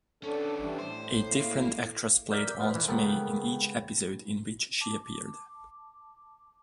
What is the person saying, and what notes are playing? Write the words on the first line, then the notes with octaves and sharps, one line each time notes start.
A different actress played Aunt May in each episode in which she appeared.
B3 C#4 D4 A4
E3 G3 D4
A2 C5
A#3 F5
A#4 D5 E5 G6 B6
B3 F4 B4 C5
D#3 E3
C#3 G#3 B3 A4 A#4 G5
A5 D6